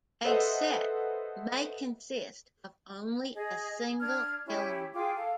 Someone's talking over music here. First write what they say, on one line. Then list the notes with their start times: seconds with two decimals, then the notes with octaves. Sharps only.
A set may consist of only a single element.
0.25 A4 B4 C5 D#5 E5 F#5
3.35 G#4 D#5
3.73 G#4
4.00 D4 F6 G#6
4.46 C#4 E4 G4
4.94 F4 G#4 G5 D6
5.16 A4 F5